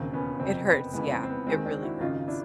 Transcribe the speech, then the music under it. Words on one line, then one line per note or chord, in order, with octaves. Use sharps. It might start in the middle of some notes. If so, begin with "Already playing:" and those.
It hurts, yeah, it really hurts.
Already playing: E1 D#2 C#3 C4
B3 C#4
F#1 F2 C3 C4
B3
F2 C#3 E3 G#3 B3
C4
C4
B3
D#2 D#3 G#3 C4
C4 D4
E4 F#4
G#1 F#2 C#3 D#4 F4
D4 E4